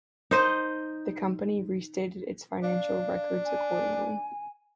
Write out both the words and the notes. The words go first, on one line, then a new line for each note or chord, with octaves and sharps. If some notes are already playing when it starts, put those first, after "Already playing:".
The company restated its financial reports accordingly.
D#4 C5 D#5
D4 F5
G#5